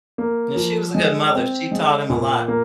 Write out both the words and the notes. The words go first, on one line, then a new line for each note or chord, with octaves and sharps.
Yeah, she was a good mother, she taught him a lot.
A#3
F3
G#3
C4
G#3
A#2
A#3